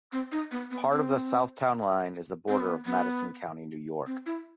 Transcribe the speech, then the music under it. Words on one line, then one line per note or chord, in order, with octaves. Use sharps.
Part of the south town line is the border of Madison County, New York.
C4
D#4
B3
B3
C4
C4
B3
B3
C4
E4